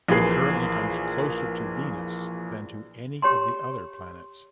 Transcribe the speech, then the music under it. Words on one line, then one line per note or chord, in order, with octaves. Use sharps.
It currently comes closer to Venus than to any of the other planets.
A#1 E3 A#3 G#4 C7
G4 C#5 A#5 C6